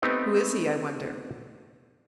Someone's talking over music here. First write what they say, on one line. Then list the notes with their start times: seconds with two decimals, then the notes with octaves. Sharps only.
"Who is he, I wonder?"
0.02 A3 B3 C4 D#4 G4